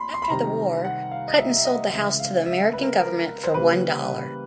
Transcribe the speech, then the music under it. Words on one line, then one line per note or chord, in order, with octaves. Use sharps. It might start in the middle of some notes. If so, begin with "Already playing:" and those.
After the war, Hutton sold the house to the American government for one dollar.
Already playing: A#3 B5 C6
C6
B5
C3 D#3 G3 A#5
F#5
F5
D#5
E5
E5
D#5
C#3 E3 G#3 E5
F5
E5
B4
A#4
A#4
C5
C#3 E3 G3 A#3 B4